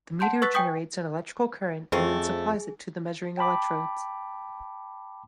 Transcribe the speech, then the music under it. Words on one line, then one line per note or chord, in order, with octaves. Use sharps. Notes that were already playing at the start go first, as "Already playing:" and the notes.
The meter generates an electrical current and then supplies it to the measuring electrodes.
F#5 A5 C6 G6
B4 C#6 E6 F#6 A6 B6
G5 G#5 C#6 D#6 G6 B6
F2 A3 C4 C#4 G#4
G5 A5 B5 D6